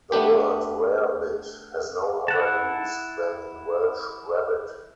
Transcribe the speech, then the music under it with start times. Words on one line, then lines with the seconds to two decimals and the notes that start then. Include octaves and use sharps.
The word "rarebit" has no other use than in Welsh rabbit.
0.12 A3 B3 D4 G4
2.28 E4 F#5 A5